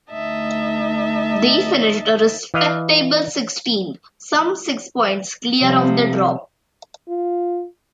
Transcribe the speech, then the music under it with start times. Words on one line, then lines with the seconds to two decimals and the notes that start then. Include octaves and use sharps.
They finished a respectable sixteenth, some six points clear of the drop.
0.12 D2 A3 D#4 D#5 E5 A5
2.54 E3 D#5 F5
5.60 C3 F3 G3
7.08 F4